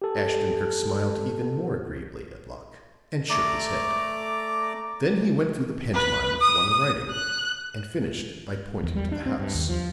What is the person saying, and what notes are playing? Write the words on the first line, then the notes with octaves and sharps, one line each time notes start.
Ashton-Kirk smiled even more agreeably at Locke and shook his head. Then he went through the pantomime of one writing, and finished by pointing to the house.
G4 A4
A3 D5 A#5 D6
B4
D#6
F#6
E2
G3
D4
C4
G2
D#2
F3